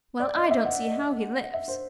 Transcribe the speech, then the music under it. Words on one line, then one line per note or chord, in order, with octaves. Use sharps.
"Well, I don't see how he lives!"
D5
D#5
E5
F#5
E5
C5